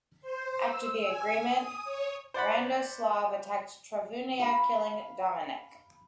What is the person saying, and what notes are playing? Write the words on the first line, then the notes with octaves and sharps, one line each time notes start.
After the agreement, Radoslav attacked Travunia, killing Domanek.
C5
E6
G#5
D#6
C#5
C5 D5 F#5 B5
F5 B5